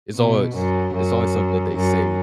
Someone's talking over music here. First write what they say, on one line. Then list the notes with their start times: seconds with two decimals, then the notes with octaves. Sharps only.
it's always it's always something that they say,
0.15 B2
0.55 F#2
0.95 F#2
1.75 F#2